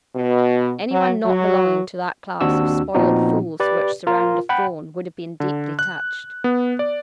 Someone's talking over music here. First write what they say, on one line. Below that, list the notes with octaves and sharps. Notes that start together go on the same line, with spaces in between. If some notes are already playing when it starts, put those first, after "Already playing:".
Anyone not belonging to that class of spoiled fools which surround a throne would have been deeply touched.
B2
F#3
F#3
D#2 C4 D4 F#4 E6
A#2 F3 B3 C4 D#4 F#4
G4 B4 D5
F4 A#4
F#5 G5 B5
D3
F#6
B3
D5